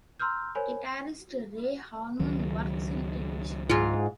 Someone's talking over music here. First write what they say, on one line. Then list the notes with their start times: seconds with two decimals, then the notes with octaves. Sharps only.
Guitarist Ray Harman works in television.
0.20 A#5 C6 E6 F6 G6
0.55 A#4 C5 C#5 G#5 B5
2.19 C#2 D#3 F#3
3.70 G#2 F4